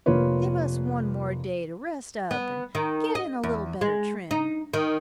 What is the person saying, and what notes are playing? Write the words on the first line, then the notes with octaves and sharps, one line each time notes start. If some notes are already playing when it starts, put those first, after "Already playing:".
Give us one more day to rest up and get in a little better trim.
F1 A#3 F4 B4 C#5
B3
D#3
D#5
E2
G#3
D#4
D#3